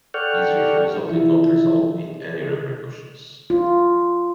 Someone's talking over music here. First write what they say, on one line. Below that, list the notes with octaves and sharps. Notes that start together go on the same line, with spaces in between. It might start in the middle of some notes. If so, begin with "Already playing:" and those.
His refusal did not result in any repercussions.
A4 D5 F#5 G5 C#6 F6
E3 F3 E4
F4